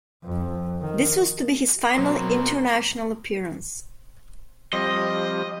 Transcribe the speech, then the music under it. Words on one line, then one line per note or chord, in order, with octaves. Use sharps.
This was to be his final international appearance.
F2
D#3
B2 F#3 A#3 C4
F3 G3 C4 D#5